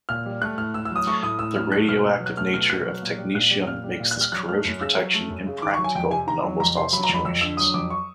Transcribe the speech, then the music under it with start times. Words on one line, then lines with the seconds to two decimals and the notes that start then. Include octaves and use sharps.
The radioactive nature of technetium makes this corrosion protection impractical in almost all situations.
0.09 A#2 F6
0.26 G3
0.42 A3 F#6
0.58 A2 F6
0.74 A2 E6
0.85 E6
0.91 F#3 D#6
1.07 A3 C#6
1.23 A2 D#6
1.39 A2 E6
1.55 F#3 F6
1.71 A3 F#6
1.88 B2 F6
2.05 B2
2.20 F#3
2.26 F#6
2.37 A3 F6
2.53 B2 F6
2.69 B2 F#6
2.86 F#3
3.02 A#2
3.18 G3
3.34 A#2 F#6
3.51 G3
3.67 A#2 F6
3.84 G3
4.00 A#2
4.11 F#6
4.16 G3 F6
4.32 F#3 F#6
4.49 A3 F6
4.65 F#2
4.81 C#3 E6
4.97 F#3
5.14 A3
5.30 F#2
5.46 C#3
5.62 D#3 D6
5.74 C#6
5.79 F#3
5.84 G#5
5.95 F2 G5
6.11 C3 G#5
6.27 D#3 A#5
6.43 F#3
6.60 F2 A#5
6.76 C3 C6
6.93 F#3 B5
7.04 A#5
7.09 F2
7.14 B5
7.25 F2 E6
7.41 D3 E6
7.57 F#3 D#6
7.74 F2 D6
7.90 C#6